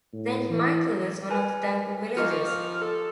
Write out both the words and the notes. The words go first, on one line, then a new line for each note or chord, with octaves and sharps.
Saint Michael is one of the Thankful Villages.
A2
E3
A#4 B4 G#5
F3 D#4 F4 G4 G#4 C#6 F6
A4